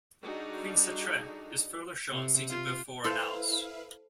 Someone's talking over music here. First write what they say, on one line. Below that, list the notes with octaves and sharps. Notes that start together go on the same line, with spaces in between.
Queen Sitre is further shown seated before a naos.
G3 D4 D#4 F#4 G#4 A4
C3
F4
E4 A4 B4 C5 F5